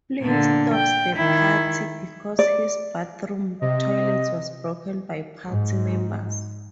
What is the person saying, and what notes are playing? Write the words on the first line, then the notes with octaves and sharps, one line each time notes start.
Play stops the party because his bathroom toilet was broken by party members.
A#2 D3
G5
D#3 E4
D5
C3 D#5
G#2